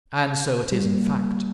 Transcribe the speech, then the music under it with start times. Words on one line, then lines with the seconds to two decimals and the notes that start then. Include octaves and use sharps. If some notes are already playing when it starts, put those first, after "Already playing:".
And so it is in fact.
0.72 G3
0.84 A#3